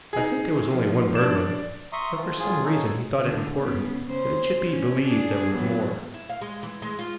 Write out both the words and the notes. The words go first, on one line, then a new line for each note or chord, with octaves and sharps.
"I think there was only one burglar, but for some reason he thought it important that it should be believed there were more."
D#4 G#4
F3
D4 D5 E7
E5 A#5 C6 C#6 D#6
D#3 F3 F4
A2 F4 G#4
G#3 B3 D#4 G#4 A4 C#5
D3
C#3 B3
C#3 C5
C#4
D4 G#4
E3 F#3 B3
E4
F5
G#3
E3
G#3
F4